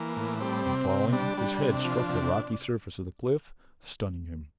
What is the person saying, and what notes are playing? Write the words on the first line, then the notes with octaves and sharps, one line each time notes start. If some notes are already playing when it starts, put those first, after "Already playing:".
In falling his head struck the rocky surface of the cliff, stunning him.
Already playing: E3 A#3
A2
G3 C4
C3
C3
G3 D4
G3
C3
F3
C3